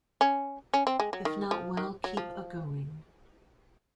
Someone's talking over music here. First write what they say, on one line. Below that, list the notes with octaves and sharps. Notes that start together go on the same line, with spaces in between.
If not well, keep agoing.
C#4
C#4
C4
G#3
F#3
D#3
F3
D#3
F#3
F3